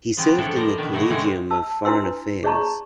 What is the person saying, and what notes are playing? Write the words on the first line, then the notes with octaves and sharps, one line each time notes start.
He served in the Collegium of Foreign Affairs.
C#3 F3 B3 C4
F3 D4 E4 A4 C#5 D5
A#4 C5 D5 D#5
B2 D#3 D4
B2 D3 F#3 A3 D#4 E4
D3 G#3 C4 C#4 D#4 E4
A5 E6
D4 E4 B4 G#5 C6 E6
G#4 C#5 D5 A5 A#5 C#6